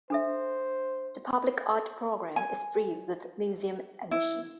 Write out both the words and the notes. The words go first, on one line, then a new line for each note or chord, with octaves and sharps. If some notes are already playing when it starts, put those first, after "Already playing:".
The Public Art Program is Free with Museum Admission.
D4 A4 C5 E5
G#5
E4